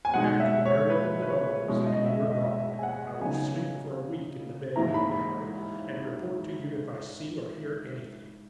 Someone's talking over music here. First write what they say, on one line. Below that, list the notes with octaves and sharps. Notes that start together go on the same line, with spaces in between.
After the burial of the bones, and you are gone, I will sleep for a week in the bed in the gallery, and report to you if I see or hear anything.
G#5
B2 G#3 D#4 F#5
E5
C#5
B4
B4
C#5
B2 G#3 C#4 E4
D#5
E5
D#5
E5
G#5
F#5
C#3 F#3 B3 D#4 G#5
G#2 E3 A#3 E4 A#5
B5